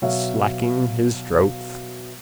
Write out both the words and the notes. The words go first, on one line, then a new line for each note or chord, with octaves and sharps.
Slaking his drouth.
B2 F#3 C#5 E5 F5